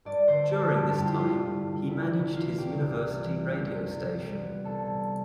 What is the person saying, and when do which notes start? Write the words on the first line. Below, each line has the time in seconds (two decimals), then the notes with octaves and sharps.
During this time, he managed his university radio station.
0.05 G2 D5
0.28 D3 C5
0.51 G3 A4
0.75 G2 A4
0.97 G2 G4
1.05 F4
1.11 E4
1.18 D3 F4
1.44 G3
1.66 G2
1.89 C2 E4
2.11 C3 E4
2.34 E3 F4
2.58 C2 G4
2.81 C2 G4
3.04 C3
3.26 E3
3.50 C2
3.73 C2
3.95 C3
4.18 G3
4.41 B3
4.64 C2 A4
4.87 C3